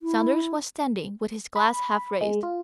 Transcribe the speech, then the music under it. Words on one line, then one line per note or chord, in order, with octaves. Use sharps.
Saunders was standing with his glass half raised.
E4
B5
G#3
F4